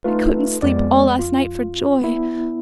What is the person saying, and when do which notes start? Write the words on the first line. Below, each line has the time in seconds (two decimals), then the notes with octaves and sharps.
I couldn't sleep all last night for joy.
0.04 A3 D#4 F4 B4
0.62 F2 G#3 B3 D5
1.19 F4
2.02 B3 E4